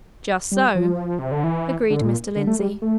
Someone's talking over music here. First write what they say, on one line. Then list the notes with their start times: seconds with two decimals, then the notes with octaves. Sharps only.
"Just so," agreed Mr. Lindsey.
0.52 G3
0.75 F3
1.19 C3
1.32 D3
1.44 E3
1.90 D3
2.01 A2
2.05 A#2
2.36 D3
2.47 A3
2.59 G3
2.82 A3